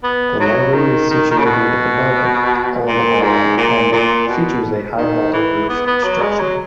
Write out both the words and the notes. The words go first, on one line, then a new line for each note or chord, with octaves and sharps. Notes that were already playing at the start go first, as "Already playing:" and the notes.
The library is situated above Eld Hall, and features a high vaulted roof structure.
B3
F#3
D#3
D#3
D#3
C#3
B2
A#2
G#2
A#2
A#2
B2
D#3
E3
B3
B3
F#3
G#3
F#3